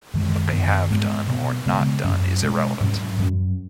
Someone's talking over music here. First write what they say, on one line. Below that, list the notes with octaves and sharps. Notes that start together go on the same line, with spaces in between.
What they have done or not done is irrelevant.
F#2 D#3 G#3
F#2 D#3 B3
G#2 G#3 B3
B2 B3
C#3 G#3 B3
F#2 F#3 C#4
B2 G#3 C#4
G#2 F#3 C#4
F#2 F#3 C#4